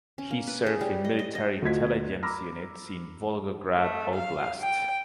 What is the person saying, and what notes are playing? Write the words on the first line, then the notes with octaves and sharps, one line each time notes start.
He served in military intelligence units in Volgograd Oblast.
C#4
A#3
B4
G#4
G3
D#5
D#5
D#5
D2 A3 F4 D#5 G#6 B6
A#5 B5 D6 E6 F6 A#6
A3
F5
G5